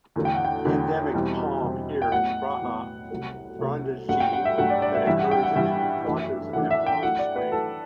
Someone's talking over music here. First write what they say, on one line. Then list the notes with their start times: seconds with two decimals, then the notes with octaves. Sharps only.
The endemic palm here is "Brahea brandegeei", that occurs in washes and along streams.
0.16 E2 D3 F#3 A3 D4
0.25 G5
0.34 F#5
0.45 G5
0.65 E2 D3 F#3 A3 D4
1.14 E2 B2 G3 C4 E4
1.63 E2 B2 G3 C4 E4
2.02 G5
2.12 A2 F#3 B3 F#5
2.61 A2 F#3 B3
3.10 C2 C3 F#3 A3
3.59 C2 C3 F#3 A3
4.09 G2 F#3 A3 F#5
4.20 G5
4.33 F#5
4.45 E5
4.58 G2 F#3 A3 F#5
4.70 D5
4.82 D5
4.95 E5
5.07 G2 E3 G3 E5
5.19 F#5
5.31 G5
5.43 F#5
5.56 G2 E3 G3 E5
6.05 F#2 E3 A3 D4
6.53 F#2 E3 A3 D4 F#5
6.71 E5
6.86 G5
7.03 F#3 A3 E4 F#5
7.19 D5
7.36 B4
7.52 F#3 A3 E4 A4